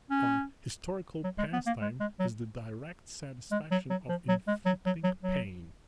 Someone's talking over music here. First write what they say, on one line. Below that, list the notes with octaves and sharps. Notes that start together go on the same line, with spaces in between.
Our historical pastime is the direct satisfaction of inflicting pain.
C#4
F#3
G#3
B3
A#3
G#3
G#3
F#3
G#3
F#3
F#3
F3
F#3
G#3
F#3
F#3
F#3
F#3